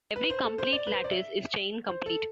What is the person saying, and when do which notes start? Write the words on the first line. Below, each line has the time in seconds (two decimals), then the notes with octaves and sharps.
Every complete lattice is chain-complete.
0.16 B4
0.30 C5
0.44 A4
0.58 C5
0.73 D5
0.87 B4
0.93 C5
1.04 D5
1.11 E5
1.88 C5
2.06 A4